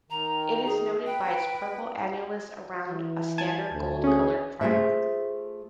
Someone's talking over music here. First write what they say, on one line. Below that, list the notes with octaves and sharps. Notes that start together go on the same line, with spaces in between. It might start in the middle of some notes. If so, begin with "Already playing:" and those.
It is noted by its purple annulus around a standard gold-colored primer.
D#3 A#5
G#4
B4 G5
E3
G#5 A5 G#6
D2
C#4 G#4
A3 F4 G#4 C5 E5